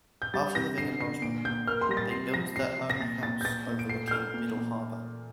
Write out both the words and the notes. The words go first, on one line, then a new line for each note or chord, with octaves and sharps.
After living in Mosman, they built their own house overlooking Middle Harbour.
G6
G3 A6
C3 A#6
D3 C7
D3 C7
A#2 D7
A#2 G6
A#3 F6
C6
G3 A#6
A6
C3 C7
F3 A#6
C3 C7
C3
A#6
A#2 A6
A#2 A6
G6
A#2 A6
A#2
D7
A3 C7
G6
A3 F6
A#2
A#2